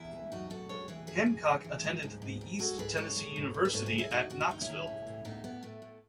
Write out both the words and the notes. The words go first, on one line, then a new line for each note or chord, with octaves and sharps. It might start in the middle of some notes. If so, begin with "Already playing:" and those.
Hancock attended the East Tennessee University at Knoxville.
Already playing: E2 E4 G#4
E3
F#2 D#4 F#4
F#2 F#4 A4
G#3 A4 C#5
E3 G#4 B4
F#2 G#4 B4
E3
E3
E3
G#3
G#2
G#2
G#2
G#3 F#4 A4
G#2 G#4 B4
G#3 A4 C#5
G#3
G#2
G#2
B4
G#2 A4 C#5
G#4 B4
G#3
E4 G#4
G#2 D#4 F#4
D#3 F#4
E4
D#3 D#4
C#4 E4
D#3
A2
A2
A2 B3 D#4
A2 B3
A2 A3
A2